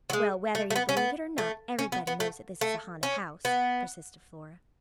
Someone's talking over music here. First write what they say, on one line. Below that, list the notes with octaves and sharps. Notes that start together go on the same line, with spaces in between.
"Well, whether you believe it or not, everybody knows that this is a haunted house," persisted Flora.
F#3
G#3
A3
A3
B3
C#4
B3
A3
C#4
B3
B3
A3
A3
C#4
B3